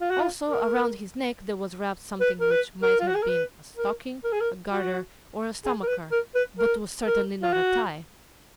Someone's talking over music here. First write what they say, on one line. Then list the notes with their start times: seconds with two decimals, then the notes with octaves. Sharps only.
Also, around his neck there was wrapped something which might have been a stocking, a garter, or a stomacher, but was certainly not a tie.
0.01 F4
0.10 F#4
0.20 F4
0.48 A#4
2.21 B4
2.41 A#4
2.51 B4
2.83 A#4
3.00 F4
3.08 F#4
3.15 G#4
3.23 A#4
3.29 B4
3.77 A#4
4.24 A#4
4.32 G#4
4.40 A#4
4.71 F#4
5.65 G#4
5.83 A#4
5.88 B4
6.12 A#4
6.35 B4
6.59 A#4
7.06 A#4
7.43 F4
7.53 F#4